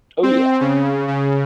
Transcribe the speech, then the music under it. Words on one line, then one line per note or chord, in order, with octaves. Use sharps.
Oh, yeah,
C4
C#3
C#3